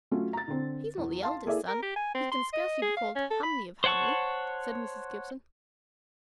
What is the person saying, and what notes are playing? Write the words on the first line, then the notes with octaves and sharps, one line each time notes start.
"He's not the eldest son; he can scarcely be called Hamley of Hamley!" said Mrs. Gibson.
F#3 A3 C#4 F4
A#5 A6
D3 C4
E2
F5 A5 C6
A#3 E4 G#4 A4 D5 E5
A#4
G4
G#5
C4
C6
D#5
G#4
F5
C#4
A4
B5
C5 C#5 F#5 A5 C#6